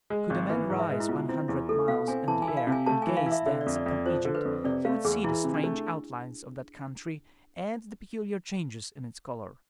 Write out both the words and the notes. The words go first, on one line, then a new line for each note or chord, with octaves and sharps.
Could a man rise one hundred miles in the air and gaze thence upon Egypt, he would see the strange outlines of that country and the peculiar changes in its color.
G#3
G#1
E3 B4
G#2
E5
G#3
E4
B2 F4
C4 E4
E2 E4
A3 A4
B2 F5
C4 G#5
E3 A5
G#5
E4
F5
C3
G#5
A3 A5
E3 G#5
F5
E4
E5
D3 E5
D5
F2
D5
F2
D5
F3 C5
D3
B4
F2
C3 D5
A3 F5
E2 G#4
E3 E4
C3
D4
A3